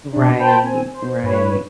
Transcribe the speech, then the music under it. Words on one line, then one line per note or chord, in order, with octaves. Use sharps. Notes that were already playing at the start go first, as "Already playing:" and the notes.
Right, right.
B2 D4
C5 G5 A5 B5
C4 G#5
C5
G2 B4 C#5